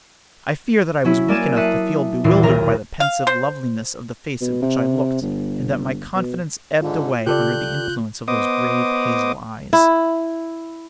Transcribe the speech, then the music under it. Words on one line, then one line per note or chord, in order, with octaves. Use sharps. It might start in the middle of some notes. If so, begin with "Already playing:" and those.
I fear that I was weak enough to feel bewildered by the pensive loveliness of the face at which I looked, and that my confidence ebbed away under the influence of those grave hazel eyes.
F#3 C#4 E4
A#3 D5 G#5 E7
E5 A5 D#6 F#6 C7 C#7
D#2 A#2 E3 C7
D#1 B1 A#4 A#5
F5
C5
B2
C3
G1
B2
G#2 D3 F4
C#3 F4 G4 A4 D5 F#6 G6
B3 C5 D#5 D6 D#6
E4